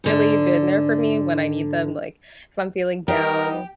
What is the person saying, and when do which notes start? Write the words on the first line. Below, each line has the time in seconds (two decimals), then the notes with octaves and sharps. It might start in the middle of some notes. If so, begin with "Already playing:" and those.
really been there for me when I need them. Like, if I'm feeling down
0.04 G#2 D3
3.08 G3 B3 D#4 G4 A#4